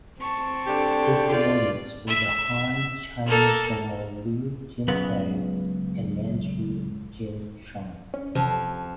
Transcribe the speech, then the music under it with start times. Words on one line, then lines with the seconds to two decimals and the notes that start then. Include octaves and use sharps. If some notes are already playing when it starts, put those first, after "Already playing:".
His subordinates were the Han Chinese General Liu Jintang and Manchu Jin Shun.
0.21 C4 A5 C#6
0.67 D3 G4
1.27 F4 D5
2.07 E5
3.26 A#3 A4
4.88 C#2 F#2 C#3 B3
8.14 C#4
8.35 F2 C3